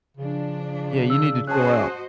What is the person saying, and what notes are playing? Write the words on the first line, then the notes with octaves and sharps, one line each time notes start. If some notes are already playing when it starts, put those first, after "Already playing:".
Yeah, you need to chill out.
C#3 F3 D4
E6
C#4 F#4 G#4 C5 D#5 A5 F#6